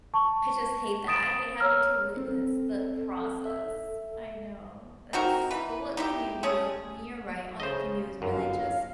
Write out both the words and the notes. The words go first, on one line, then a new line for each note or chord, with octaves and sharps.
I just hate that, I hate having to witness the process. I know, there's but what can you do? I mean, you're right, all you can do is really just
A5 C#6
D#6 A6 D7 E7
C#5 A#5 E6 F6
C4 A4
E5
C4 D#4 F#4 A#4
E3 B4
D#4 E4 G4
A3 C#4 G#4
C#3 C5 D#5
G1 F#2 F5